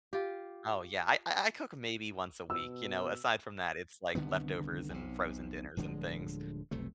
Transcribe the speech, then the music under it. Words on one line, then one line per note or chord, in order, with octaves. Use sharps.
Oh, yeah. I I I cook maybe once a week. You know? Aside from that, it's, like, leftovers and frozen dinners and things.
F4 G4
B2 E6
C2 D3 D#3 B3
B1 C3
D1 D3 F3 G#3
F1 B1 C3 A3